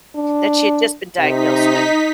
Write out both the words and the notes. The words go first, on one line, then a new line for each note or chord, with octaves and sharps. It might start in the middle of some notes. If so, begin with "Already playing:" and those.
that she had just been diagnosed with.
D4
C3 D#4 B6